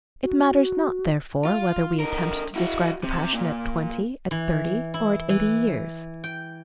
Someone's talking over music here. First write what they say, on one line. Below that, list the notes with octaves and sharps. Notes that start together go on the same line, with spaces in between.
It matters not therefore whether we attempt to describe the passion at twenty, at thirty, or at eighty years.
F#4
F4
D3 A#4
E4 F#4
C3
A#2
E3
E4
E3
G5